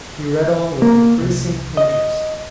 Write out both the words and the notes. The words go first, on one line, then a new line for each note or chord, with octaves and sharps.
He read on with increasing interest.
A#3
C2
D#5